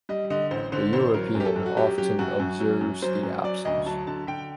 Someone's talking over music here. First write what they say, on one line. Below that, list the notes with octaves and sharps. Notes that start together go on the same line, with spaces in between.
The European often observes the absence.
G3 D#5
D3 D#5
A1 C5
D3 C5
A1 C5
F#3 A#4
F#2
G4
A4
F#2
F#4
F#3 G4
F#3 G4
F#2 F#4
F#2
F#3
F#2
F#3 C5
F#2
F#3 D5
D2 D#5
F#3 A5
D3 A5
D3 G5